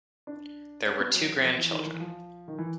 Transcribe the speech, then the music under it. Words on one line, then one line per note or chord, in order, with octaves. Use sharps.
There were two grandchildren.
D4
C#4
B3
F#3
F3
E3
D#3
E3
F3
D#3
E3